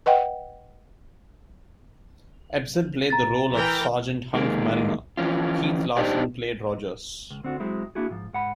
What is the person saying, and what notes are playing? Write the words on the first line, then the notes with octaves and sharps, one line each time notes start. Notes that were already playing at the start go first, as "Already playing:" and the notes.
Ebsen played the role of Sergeant Hunk Marriner; Keith Larsen played Rogers.
B4 D#5 F#5 G5
A#5 A6
E3 A#4 G5
D#3 G#3 A#3
E3 F3 C#4 F4
D4 D#4 G4 C5 D5 D#5
C#2
D2 C4 D4 F#4
F#3 G#3 C4 E4
A#3 D4 E4 F#4 G#4
G#2 F3
G#2 F#5 B5